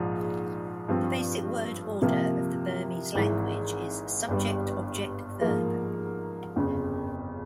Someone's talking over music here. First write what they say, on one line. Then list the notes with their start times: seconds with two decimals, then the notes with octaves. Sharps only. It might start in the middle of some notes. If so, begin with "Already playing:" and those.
The basic word order of the Burmese language is subject-object-verb.
Already playing: A#1 G#2 F3
0.88 G2 F3 C4
2.02 C3 F3 A#3
3.15 G#1 G#2 E3
4.29 G1 G2 G3
5.41 G#2 F3 A#3
6.56 G1 F2 C#3